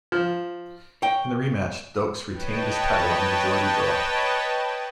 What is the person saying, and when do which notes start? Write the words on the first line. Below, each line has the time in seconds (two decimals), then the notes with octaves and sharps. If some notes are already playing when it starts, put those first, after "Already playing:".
In the rematch, Dokes retained his title on a majority draw.
0.12 F3
1.02 C#5 G5
2.30 B4 C#5 D#5 G5 A5